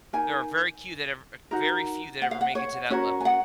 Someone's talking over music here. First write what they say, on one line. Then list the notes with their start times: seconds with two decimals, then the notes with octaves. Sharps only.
There are very few cue that ever very few that ever make it to that level.
0.13 D#4 A#4 G#5
1.51 D#4 F#4 A#4
2.22 F#5
2.31 F5
2.41 F#5
2.55 C#5
2.90 C#4 F#4 A#4 C#5
3.20 G#5
3.25 F#5